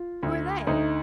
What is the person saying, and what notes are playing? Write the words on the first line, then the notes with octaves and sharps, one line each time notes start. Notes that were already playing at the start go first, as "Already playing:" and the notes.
"Who are they?"
Already playing: F4
D2
D2 D#4